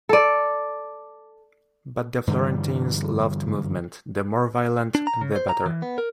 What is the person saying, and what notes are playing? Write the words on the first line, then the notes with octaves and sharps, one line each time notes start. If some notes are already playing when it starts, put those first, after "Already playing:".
But the Florentines loved movement, the more violent the better.
A4 D5
G2 D3 E3 G3
D4
A#5
C#3
C5
A#5
E3
B3
A#4